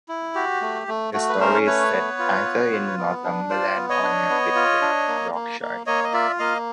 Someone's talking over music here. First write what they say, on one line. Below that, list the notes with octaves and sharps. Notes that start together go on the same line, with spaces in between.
The story is set either in Northumberland or near Whitby, Yorkshire.
E4
F#4 G4
A3
A3
A3 F#4
B4
C#4 A#4 C5
A3 B4 C#5
B3
F4
B3
F4
B3
D4
F4 C5 D5
B3
C#5 D#5
D4
B3
F4
D4
A#3
A#3
A#3
A#3 C#5 D#5
D#5
F4 D5 E5
A#3 D#5 F5